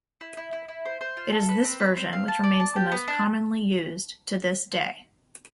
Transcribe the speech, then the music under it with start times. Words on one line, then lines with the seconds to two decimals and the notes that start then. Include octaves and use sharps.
It is this version which remains the most commonly used to this day.
0.21 E4
0.37 E4
0.53 E4
0.68 E4
0.86 C5
1.01 C5
1.17 F4
1.32 A4
1.49 B4
1.65 C4
1.80 B4
1.97 C4
2.13 F5
2.28 A5
2.44 D5
2.60 A5
2.76 G4
2.92 B3
3.08 D4